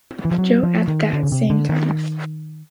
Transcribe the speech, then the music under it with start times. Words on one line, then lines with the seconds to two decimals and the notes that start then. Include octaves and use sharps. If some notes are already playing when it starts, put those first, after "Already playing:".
Joe at that same time.
0.25 E3
0.31 F3
0.38 F#3
0.63 F3
0.88 D#3
1.13 D3
1.23 C#3
1.32 C3
1.50 D3
1.69 D#3